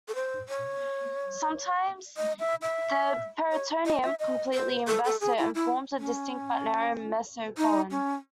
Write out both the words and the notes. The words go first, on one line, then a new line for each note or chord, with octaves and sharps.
Sometimes the peritoneum completely invests it and forms a distinct but narrow mesocolon.
A4
C5
C#5
D#5
E5
E5
C#5
D#5
E5
D#5
C5
A4
A4
G#4
E4
E4
C#4
D#4
C#4